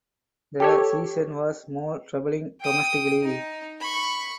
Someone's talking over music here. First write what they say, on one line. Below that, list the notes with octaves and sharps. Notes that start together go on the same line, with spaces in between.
The season was more troubling domestically.
G4 A4 C#5
G5 D#6
D#4
B5 C#6